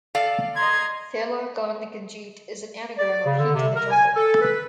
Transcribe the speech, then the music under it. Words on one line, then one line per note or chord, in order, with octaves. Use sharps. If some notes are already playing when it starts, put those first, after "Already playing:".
"Thela Hun Ginjeet" is an anagram of "heat in the jungle".
A4 D5 F5
D#5 A#5 C6 G#6
D5
C#3
D3
C3
A#4
G#5
A4
B4